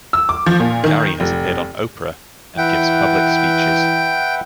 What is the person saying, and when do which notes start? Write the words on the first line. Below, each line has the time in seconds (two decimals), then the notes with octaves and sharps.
Gary has appeared on "Oprah" and gives public speeches.
0.13 E6
0.29 D6
0.46 F3
0.60 A#2
0.84 D#3
1.20 F1
2.58 E3 B4 E5 F#5 G5